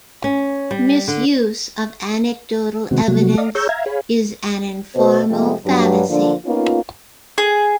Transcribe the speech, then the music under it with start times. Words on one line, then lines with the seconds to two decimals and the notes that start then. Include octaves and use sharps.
Misuse of anecdotal evidence is an informal fallacy.
0.24 C#4
0.71 G3
1.08 D3
2.91 C3 D#3 G#3 B3 C4 F#4
3.08 C3 F#3 G3 A3 A#3 F#4
3.37 D5 D#5 F5
3.55 G#4 C#5 A#5 C#6 E6 G6
3.69 E5 F5 A#5 G#6
3.86 G#4 C#5 F5 G#5 B5
4.95 B2 C5
5.30 C3 F3 G#3 A3 G4
5.65 G2 F#3
6.09 D3 F3 A#3 D4
6.46 A#3 B3 C#4 D#4 F4
7.38 G#4